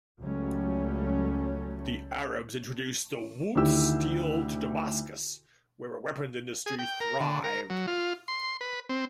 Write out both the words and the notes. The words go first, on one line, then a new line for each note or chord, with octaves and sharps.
The Arabs introduced the wootz steel to Damascus, where a weapons industry thrived.
C#2 F#3 G3 A3 C#4
D2 D3 D#3 E4 G4 E6
G#4
G5
A#4
D3
A#4
F#3
F4
C6
B4
C4